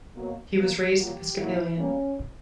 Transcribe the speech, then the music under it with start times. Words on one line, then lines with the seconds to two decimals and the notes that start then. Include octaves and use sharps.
He was raised Episcopalian.
0.16 B2 F#3 A#3
0.57 B2 A#3
0.96 A#2 F#3 A#3 G4
1.37 A#2 F#3 A#3 E4
1.77 B2 G3 A#3 C#4